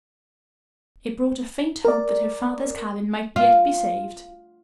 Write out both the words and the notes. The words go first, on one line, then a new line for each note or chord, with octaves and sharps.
It brought a faint hope that her father's cabin might yet be saved.
A#4 D5
F4